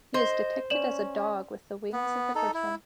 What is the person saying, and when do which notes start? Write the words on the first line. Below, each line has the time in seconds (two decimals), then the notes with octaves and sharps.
He is depicted as a dog with the wings of a griffin.
0.14 C5 D#5
0.70 C#4 D5 E7 F#7
1.93 B3
2.35 D#4 A4
2.54 E4